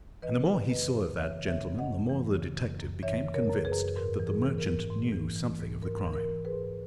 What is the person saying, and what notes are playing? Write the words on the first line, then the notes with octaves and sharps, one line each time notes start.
And the more he saw of that gentleman the more the detective became convinced that the merchant knew something of the crime.
E3 B4 D#5
C#3
F#2 B4 D#5
F#2
E3 C#5 E5
C#3
C#5 E5
F#2
D#5 F#5
F#2
E3
C#3
F#2
F#2
E3 C#5 E5
C#3
A#4 C#5
F#2
G#4 B4
F#2
G#2 A#4
E3
G#4
E3
A#4
G#2
G#2
E3
E3
G#2
G#2 A#4
E3
A#4
E3
G#4 B4
G#2